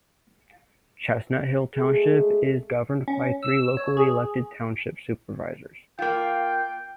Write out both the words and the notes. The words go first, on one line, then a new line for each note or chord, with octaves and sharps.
Chestnuthill Township is governed by three locally elected, Township Supervisors.
G#3 A3 G#4
C#4
E6
C#5
G#4
A#3 F4 G5